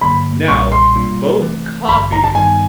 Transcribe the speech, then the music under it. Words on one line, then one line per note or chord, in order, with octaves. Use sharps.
Now, both coffee
G2 D3 F#3 A#3 B5
B1 A#2 G3 C4 C#6
C6
B2 G3 A#3 D4 F4
C3 E3 A3 C4
A1 G2 D3 B5
A#5
A5
G2 D#3 G3 B3 D#4 G#5